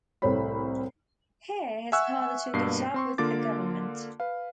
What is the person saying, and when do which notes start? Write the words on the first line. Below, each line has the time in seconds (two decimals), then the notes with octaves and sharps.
Here his father took a job with the government.
0.22 C2 A2 C5 C#5 B5
1.92 E5 F#5 G#5 C#6 E6 F#6
2.54 G2 B2 A#3 C7
2.94 C4 C6 C#6
3.18 D3 A#3 F4 D6 A6
4.20 B4 F5